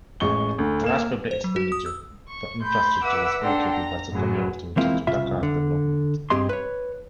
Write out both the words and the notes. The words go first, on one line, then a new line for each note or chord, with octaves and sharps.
Large public expenditure for infrastructure was allocated by the colonial authorities to Dakar's development.
A1 G#3 C#6 G7
D2
A#3 E7
C5
F#3
F#4
D#6
E6
C#6
A3 B5 C6 G6
B4 E5 F#5 D6 E6
D4 A4 F#5 G5 A#5 C6
A#5
F#2 A2 C#3 F#3
E3 G#3 A#3 C4 E4 F4
C2 C#3 F4 E5 B5
D3
G2 C4 G4 G#4 D#5 C6
B4 C#5